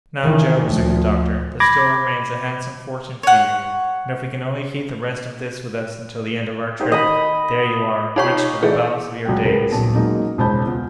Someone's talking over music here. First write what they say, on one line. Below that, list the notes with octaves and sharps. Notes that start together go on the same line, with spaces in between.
"Now, Joe," resumed the doctor, "there still remains a handsome fortune for you; and, if we can only keep the rest of this with us until the end of our trip, there you are--rich for the balance of your days!"
D#3 E3
D2 F3
B5 D6 G#6 A#6
C#5 F#5
D#4 G4 C5
D#3 D#5 B5
D#4 F4 G4 C#5 A#5 C#6
E3 A3 G#4 D5
C#2 F#3 G5
C#2 G#4 A#4 B4 G5
D#1 B1 A5
F#3 G#3 A#3 C#4 D#4
E1 C#2 C5 A5 B5 G6
B3 F4